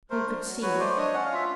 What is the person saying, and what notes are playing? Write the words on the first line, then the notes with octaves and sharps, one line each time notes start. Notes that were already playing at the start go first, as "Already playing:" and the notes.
Who could see?
A3 A#4 C5
D4
F#3
F#3 B4 C#5
A3 C5 D5
D4 C#5 D#5
C#4 F#5
F5
F4 E5